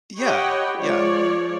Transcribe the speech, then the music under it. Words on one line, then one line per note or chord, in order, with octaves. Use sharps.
Yeah. Yeah.
G4 C#5 D#5 F#5 G5 B5
F3 G#3 C#5 D5